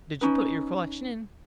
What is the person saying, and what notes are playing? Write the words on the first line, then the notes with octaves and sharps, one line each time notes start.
"Did you put your collection in?"
C#4 D#4 B4